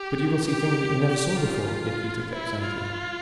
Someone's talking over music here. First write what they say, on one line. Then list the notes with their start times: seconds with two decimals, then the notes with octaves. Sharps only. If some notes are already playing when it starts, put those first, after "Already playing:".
"But you will see things that you never saw before," Yaquita kept saying to her.
Already playing: G4
0.47 G4
1.09 G4
1.40 F4
2.31 E4
2.61 F4